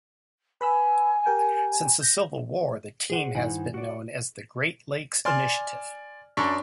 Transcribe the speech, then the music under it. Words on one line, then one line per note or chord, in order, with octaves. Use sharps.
Since the Civil War, the team has been known as the Great Lakes Initiative.
B4 G#5 B5 E6
G4 A#4 G5
G6 A#6
G#4 C5 F#5
G2 D#3 E4 C5 F#5 G#5
F#4 D5
D5 G#5 C6 F6
F#2 D4 C#6 B6